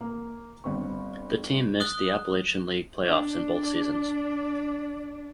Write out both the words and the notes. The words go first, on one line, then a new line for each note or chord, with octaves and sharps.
The team missed the Appalachian League playoffs in both seasons.
A#3
G1 C4 C#6
D#6 F#6 G7
D4 D5